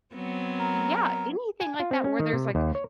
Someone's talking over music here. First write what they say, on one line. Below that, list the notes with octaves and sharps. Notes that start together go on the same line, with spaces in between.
yeah, anything like that where there's like,
F#3 B3 C4
A#4
G#5
F4
C4
C#4
D#3
C3
D#2
C#5